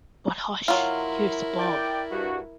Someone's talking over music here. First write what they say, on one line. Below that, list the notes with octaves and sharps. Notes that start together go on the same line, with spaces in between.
But, hush, here’s Bob.
F#3 E4 F4 A#4
D5 G5
G2 F#4